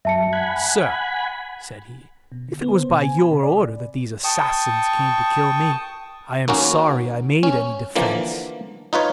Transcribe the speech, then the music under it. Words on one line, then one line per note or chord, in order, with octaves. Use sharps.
"Sir," said he, "if it was by your order that these assassins came to kill me, I am sorry I made any defence."
F#2 E5 A5 C#7
F#5 G#5 B5
B2
D3
B3
C5
B2
G#5
B5
C3
D5
G5 A5 C#6 D#6
D#2 A#3 C#4 F#4
C#4
D3 E3 F3 A#3
D#4 F4 B4 C#5